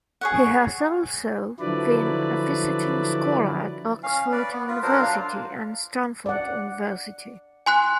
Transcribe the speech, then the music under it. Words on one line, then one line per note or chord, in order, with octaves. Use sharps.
He has also been a visiting scholar at Oxford University and Stanford University.
G#4 C#5 F#5
D3 F3 F#3 E4 B4 D5
C#4 F5
B4 D5
B3
F4 B4
F#3 D4 A#4 C5
D4 F4 F5
D5 F#5
G#5 C6 F#6